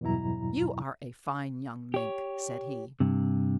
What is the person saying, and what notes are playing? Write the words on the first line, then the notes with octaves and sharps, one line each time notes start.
"You are a fine young Mink," said he.
E2 G2 B2 F#3 E4 A#5
G4 C#5
G2 C3